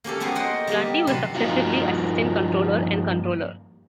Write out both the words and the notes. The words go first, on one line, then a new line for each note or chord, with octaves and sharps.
Lundy was successively assistant controller and controller.
A#3 C#4 G4 A4
A#3 B3 F#4 G#4 C5
C5 D#5 F#5 G5 C6
G3 A#3 B3 G4
C3 F#3 B4 A5 B5 C6
G2 F3 A#3 D#4 F4 F#4